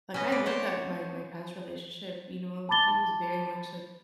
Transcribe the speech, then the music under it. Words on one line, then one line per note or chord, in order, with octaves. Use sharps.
like, I look at my, my past relationship, you know, he was very much like
C#4 F#4 B4 D#5
D5
C5 C#5 F#5
A5 B5 D6 A6 G7